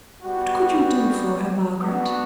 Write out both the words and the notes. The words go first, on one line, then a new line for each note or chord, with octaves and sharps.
What could you do for her, Margaret?
G3 B3 F#4
B3 D4 F#4